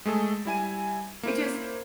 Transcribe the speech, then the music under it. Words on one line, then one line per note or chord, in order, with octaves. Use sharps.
it just
G#3 A3 G#4 A4
G3 E4 G#5 D#7
A#3 E4 C5